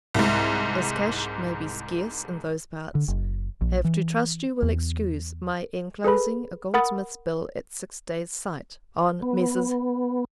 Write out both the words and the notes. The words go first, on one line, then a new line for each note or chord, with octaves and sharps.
As cash may be scarce in those parts, have to trust you will excuse my enclosing a goldsmith's bill at six days' sight, on Messrs.
C2 G#2
D3
F#1
A#1
E3
E2
G#4 A4 B4 B5
A#4 F#5 B5 D#6 A6
B3